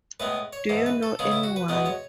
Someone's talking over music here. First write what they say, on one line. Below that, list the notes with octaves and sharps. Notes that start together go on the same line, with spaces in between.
Do you know anyone?
A2 G#3 B3 B4
C#5
G#2 E3 A3
B4
A4
C#3 G#3 B3 G#4
E4
F#4
B4
E2 B2 G#3 B3 B4
C#5